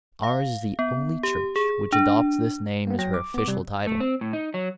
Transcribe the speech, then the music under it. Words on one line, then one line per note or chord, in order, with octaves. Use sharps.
Ours is the only Church which adopts this name as her official title.
F5
B3
G4
G#4
D4
A#3 B3
F#3 G5 A#6
D6
B3 D6
C3 G3
A3
C4
A2
D#4
F#3